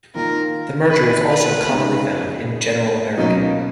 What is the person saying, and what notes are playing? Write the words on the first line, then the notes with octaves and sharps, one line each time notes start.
The merger is also commonly found in General American.
D#3 A#3 F4 A#4
B4
B4
C#3 G#3 B3 D#4
B2 F#3 A#3 C#4 D#4